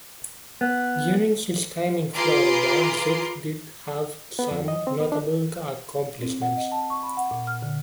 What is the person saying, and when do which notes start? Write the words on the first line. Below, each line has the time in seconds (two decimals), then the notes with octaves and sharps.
During his time at Florida, Zook did have some notable accomplishments.
0.61 B3
2.15 F4 G#4 B4 A#5 C6 D6
4.39 B3
4.51 F2
4.68 D#5
4.87 C4
5.00 B3
5.12 D4
6.21 C4
6.42 F#5
6.57 D#5
6.72 A5
6.90 C#6
7.03 B5
7.17 F#5
7.31 A#2
7.47 F6
7.62 D3